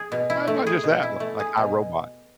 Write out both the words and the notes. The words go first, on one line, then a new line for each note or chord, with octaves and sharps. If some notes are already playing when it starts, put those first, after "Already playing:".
Why not just that? Li like, I, Robot.
Already playing: G#4
B2
E4
A3
G#4
B2
E4
A3
G#4
B2